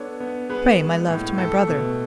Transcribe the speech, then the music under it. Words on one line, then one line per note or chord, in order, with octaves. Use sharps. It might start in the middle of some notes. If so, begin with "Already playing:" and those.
Pray my love to my brother.
Already playing: B3 D4 A4 C#5
B3
B3 G#4 B4
G#3
A2
A3 A4
B2